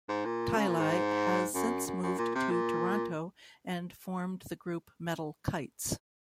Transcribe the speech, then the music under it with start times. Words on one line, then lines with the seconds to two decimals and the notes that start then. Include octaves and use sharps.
Tielli has since moved to Toronto and formed the group Metal Kites.
0.09 G#2
0.25 A#2
0.57 C#3
0.68 A#2
0.79 G#2
1.54 F#2
1.86 F#2
2.02 F#2
2.18 A#2
2.35 C3
2.50 A#2